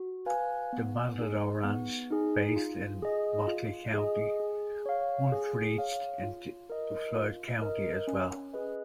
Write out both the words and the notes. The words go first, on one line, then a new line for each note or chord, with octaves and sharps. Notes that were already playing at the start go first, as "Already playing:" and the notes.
The Matador Ranch, based in Motley County, once reached into Floyd County as well.
Already playing: F#4
B4 F5 G#5
B3
D#4 G#4
B3
D#4 G#4
F4
G#4 D#5
F4
G#4 D#5
G#4
C#5 F5
G#4
C#5 F5
F4
A#4 D#5
F4
A#4 D#5
C#4
G#4 B4 D#5